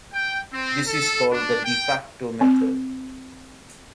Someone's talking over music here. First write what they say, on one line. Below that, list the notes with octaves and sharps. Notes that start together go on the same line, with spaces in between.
This is called the "de facto" method.
G5
C4
A4
D4
G5
C4